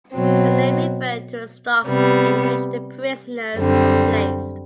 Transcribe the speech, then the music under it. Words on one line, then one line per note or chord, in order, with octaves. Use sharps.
The name referred to the stocks in which the prisoners were placed.
B2 F#3 C4
C3 G3 B3
F#2 D3 G3 C4